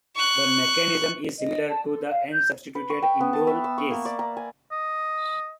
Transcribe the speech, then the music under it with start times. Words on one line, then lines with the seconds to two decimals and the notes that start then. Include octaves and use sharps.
The mechanism is similar to the N-substituted indole case.
0.16 C#6 F#6
1.38 D#5
1.67 A5
1.85 A4
2.09 F5
2.31 G6
2.75 B4
2.90 C#6
3.02 G5
3.20 B3
3.33 A5
3.47 E5
3.64 E6
3.78 C#6
3.91 A#3
4.05 D5
4.19 A#5
4.37 G#5
4.72 D#5